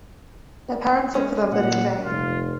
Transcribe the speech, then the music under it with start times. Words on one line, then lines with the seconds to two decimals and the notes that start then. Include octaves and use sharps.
Their parents look for them but in vain.
1.14 G#3 C#4
1.52 A#2 F#5
2.04 F1 F4